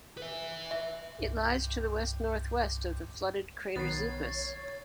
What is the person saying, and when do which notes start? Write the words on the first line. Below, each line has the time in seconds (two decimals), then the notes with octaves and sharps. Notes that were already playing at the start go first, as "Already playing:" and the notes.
It lies to the west-northwest of the flooded crater Zupus.
0.17 B4 E5
0.71 E5
1.19 C2 G2
3.76 B1 D#3 B3 C#5 A6 C7